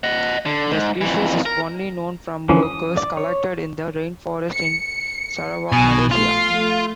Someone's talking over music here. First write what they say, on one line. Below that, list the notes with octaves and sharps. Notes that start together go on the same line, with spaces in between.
The species is only known from workers collected in the rainforest in Sarawak, Malaysia.
D#5 F#5
D3
G#2
F2 E3
A#4
D3 E3 F3 C#4
D#6
D5
C#5
C#7
B1 B2 F3 G#5
F3 A3 F4 C7
A3